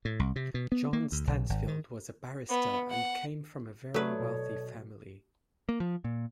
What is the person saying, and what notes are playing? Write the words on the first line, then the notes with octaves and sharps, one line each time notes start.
John Stansfield was a barrister and came from a very wealthy family.
A2
C2
C3
B2
B3
A#3
D2
B1
G#1
D#3
B3
F#5
F#3 A3 A4 B4 C#5 D5
B2
A#3
F3
A#2